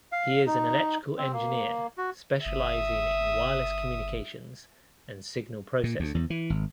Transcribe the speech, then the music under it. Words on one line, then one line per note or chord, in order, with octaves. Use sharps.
He is an electrical engineer specializing in wireless communications and signal processing.
F5
D#4
C4
A#3
F#4
G1 E5 D#6
A#2
D2
E2
E3
G#1